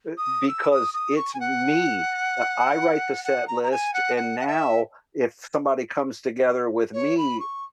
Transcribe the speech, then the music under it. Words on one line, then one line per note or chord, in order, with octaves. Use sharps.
e because it's me. I I write the set list, and now if somebody comes together with me,
D#6
E6
D#6
D#6
C#6
G#5
F#5
F#5
A#5
A#5
G#5
F#5
F#5
F#5
E5
C#5
B5
C#6